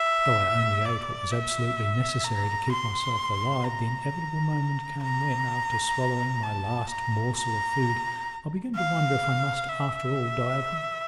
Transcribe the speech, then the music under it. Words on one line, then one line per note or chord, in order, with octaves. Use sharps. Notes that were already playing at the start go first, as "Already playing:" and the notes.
Though I only ate what was absolutely necessary to keep myself alive, the inevitable moment came when, after swallowing my last morsel of food, I began to wonder if I must after all die of hunger.
Already playing: E5
D5
E5
A#5
C6
A#5
A#5
A5
A#5
A#5
F5
E5